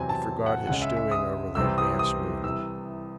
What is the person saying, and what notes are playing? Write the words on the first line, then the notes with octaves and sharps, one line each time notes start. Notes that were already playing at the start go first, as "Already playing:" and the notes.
He forgot his stewing over the advance movement.
Already playing: E2 C3 F#3 C4 G#5
A5
F#5
C#2 C#3 G#3 F#5
E5
E5
D#6
C2 C3 E3 C4 E6
D#6
D#6
C2 C3 E3 E6